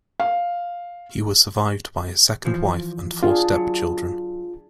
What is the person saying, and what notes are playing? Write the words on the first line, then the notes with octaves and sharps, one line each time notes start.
He was survived by his second wife and four step-children.
F5
E3 F3
D4 F4 G#4
F#3